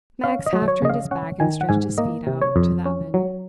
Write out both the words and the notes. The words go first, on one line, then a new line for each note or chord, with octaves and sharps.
Max half turned his back and stretched his feet out to the oven.
C#4 F5
D#5
F#3
C#5
C#3 D#5
F5
C#4 F#5
D#3 G#5
F#5
G#2 G#5
A#3 D#5
C3
C#5
F2
C#4
F#3